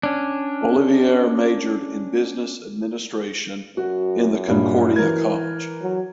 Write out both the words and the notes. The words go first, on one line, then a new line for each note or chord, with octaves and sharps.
Ollivierre majored in Business Administration in the Concordia College.
C#4 D4
F#2 F#4
G2 A#2
E3 A#4 G#6
F#3